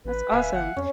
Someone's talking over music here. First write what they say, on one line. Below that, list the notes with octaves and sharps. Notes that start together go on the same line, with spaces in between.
That's awesome.
A1 B4
D1 E5 F5 G#5
G1 F#5
F2 C#4